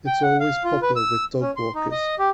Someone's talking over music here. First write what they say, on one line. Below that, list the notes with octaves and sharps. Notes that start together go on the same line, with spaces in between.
It's always popular with dog walkers.
G5
F#5
F5
F4
B4
E6
C#4
C6
D#4
D#5
G4